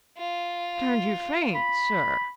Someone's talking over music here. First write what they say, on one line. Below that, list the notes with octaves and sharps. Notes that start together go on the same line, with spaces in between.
'Turned you faint, sir!
F4
B5